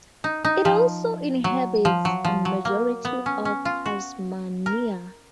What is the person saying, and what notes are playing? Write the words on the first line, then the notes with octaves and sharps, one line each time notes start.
It also inhabits a majority of Tasmania.
D#4
D#4
F3
F#3
F3
F#3
F3
F#3
A#3
B3
C#4
C#4
F4
F#4
A#4